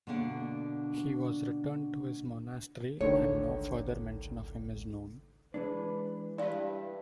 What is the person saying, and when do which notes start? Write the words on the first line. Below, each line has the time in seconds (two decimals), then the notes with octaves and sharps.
He was returned to his monastery, and no further mention of him is known.
0.07 B2 D3 A#3 D4 F#5
3.01 G#1 C#2 D3 D#3 A3 C#5
5.54 E3 G#3 D4 B4
6.38 G2 E4 B4 D5 F5